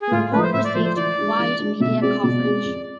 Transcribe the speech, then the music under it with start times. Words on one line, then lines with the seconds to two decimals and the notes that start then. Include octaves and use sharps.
The report received wide media coverage.
0.02 G#4
0.11 A2 F4
0.33 F3 A3 B4
0.43 C5
0.54 A2 E5
0.64 D5
0.74 F3 A3 C5
0.85 C5
0.96 E3 D5
1.18 G#3 D4
1.39 E3
1.60 G#3 D4
1.80 B2 E5
2.02 G#3 C4 G#4 D5
2.23 B2 D5
2.44 G#3 C4 G#4
2.65 F2